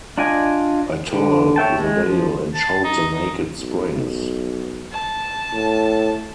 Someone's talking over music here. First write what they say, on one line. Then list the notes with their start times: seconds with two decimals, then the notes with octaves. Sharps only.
I tore the veil and showed the naked springs.
0.18 D4 F4 D5 D#5 G#5
1.14 D3
1.56 C#5 E5 G5 A5
1.79 G#3
2.06 F3
2.54 A5
2.84 D#4
3.14 D#4
3.59 B1
4.92 A5
5.53 A2